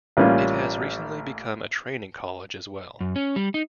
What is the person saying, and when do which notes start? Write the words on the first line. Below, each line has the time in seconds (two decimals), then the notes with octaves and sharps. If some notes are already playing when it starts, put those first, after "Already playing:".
It has recently become a training college as well.
0.17 A1 G3 A#3 C#4 F4
3.01 F#2
3.16 C#4
3.36 G3
3.54 D#4